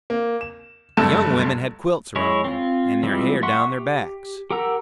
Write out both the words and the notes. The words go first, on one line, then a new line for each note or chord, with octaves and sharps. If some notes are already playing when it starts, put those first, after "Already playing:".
The young women had quilts around them, and their hair down their backs.
A#3
E7
F#1 G2 A3 A4 E7
G#3 E4 C#5
C4 F4
E3 F3 G3 G#3 C4
E5 F#5 C6 C#6 F#6
G4
G4 A#4 F#5 A#5 E6